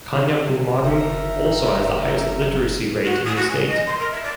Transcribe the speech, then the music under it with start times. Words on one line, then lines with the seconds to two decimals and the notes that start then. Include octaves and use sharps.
Kanyakumari also has the highest literacy rate in the state.
0.15 C3
0.83 F#1 D#4 A#4 E5
3.05 F#4
3.25 D#6
3.36 F#4
3.48 G#5
3.67 D#5
3.86 C6
3.99 A#4
4.11 E5
4.22 D5